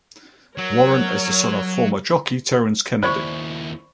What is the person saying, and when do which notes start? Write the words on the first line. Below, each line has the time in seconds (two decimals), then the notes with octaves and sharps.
Warren is the son of former jockey Terrence Kennedy.
0.58 F#3 A#4 C#5
3.03 D#2 E4 C5 D5 B5 C#6